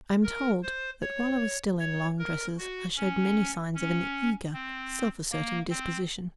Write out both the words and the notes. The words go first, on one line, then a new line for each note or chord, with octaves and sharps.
I am told that while I was still in long dresses I showed many signs of an eager, self-asserting disposition.
A#4
C5
C#5
C#5
A#4
F#4
C#4
C#4
C4
A#3
C4